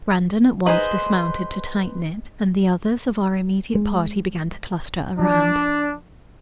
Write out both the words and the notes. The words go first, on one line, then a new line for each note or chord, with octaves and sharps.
Brandon at once dismounted to tighten it, and the others of our immediate party began to cluster around.
D#4 G#4 B4 C5 D#5
G#3
F3 D4